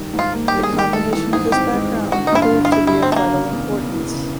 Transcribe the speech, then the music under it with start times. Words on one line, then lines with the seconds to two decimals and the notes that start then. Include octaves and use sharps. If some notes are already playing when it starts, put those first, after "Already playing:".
The combination of this background proved to be of vital importance.
Already playing: D#3 G3
0.13 G#2
0.19 F4
0.33 A#3
0.48 G4
0.54 G3
0.63 G#4
0.73 D#3
0.79 G4
0.93 G#3 A4
1.13 E3 A4
1.33 G#2 G#4
1.52 C4 G4
1.73 G#3
1.92 E3
2.12 D3 F#4
2.27 D#4
2.32 G2 E4
2.42 F4
2.52 G1
2.65 F4
2.72 F#3 E4
2.87 D3 E4
3.02 C4
3.12 G2 A3
3.16 A#3
3.31 C#3
3.51 E2
3.71 E1
3.92 E3
4.11 C#3